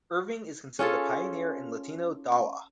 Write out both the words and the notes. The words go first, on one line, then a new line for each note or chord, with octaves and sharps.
Irving is considered a pioneer in Latino Dawah.
C#4 F4 G#4 A4